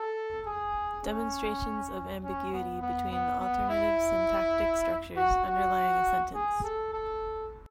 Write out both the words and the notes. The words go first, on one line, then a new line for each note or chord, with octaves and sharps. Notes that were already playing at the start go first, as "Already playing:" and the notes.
Demonstrations of ambiguity between alternative syntactic structures underlying a sentence.
Already playing: A4
G#4
C#4
C#4
B3
B3
B3
B3
E4
F#4
F#4
G#4
A4
A4